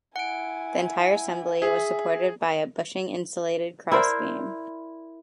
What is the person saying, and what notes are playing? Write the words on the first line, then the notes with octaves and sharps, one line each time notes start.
The entire assembly was supported by a bushing-insulated crossbeam.
E4 F#5 G#5 D7
G#4 E5
E4 A#4 C5 D5